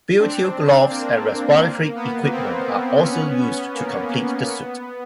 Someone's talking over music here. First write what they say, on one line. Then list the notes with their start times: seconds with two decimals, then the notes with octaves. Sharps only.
Butyl gloves and respiratory equipment are also used to complete the suit.
0.18 C4 D4
0.89 A#3 C4
1.60 A#3
1.95 B3
2.31 A#3 C4
3.02 B3 C#4
3.39 B3
3.74 A#3
4.45 B3